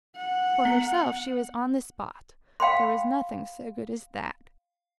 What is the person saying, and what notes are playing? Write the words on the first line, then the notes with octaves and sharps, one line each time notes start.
For herself she was on the spot; there was nothing so good as that.
F#5
B3
F5 G5 B5 C6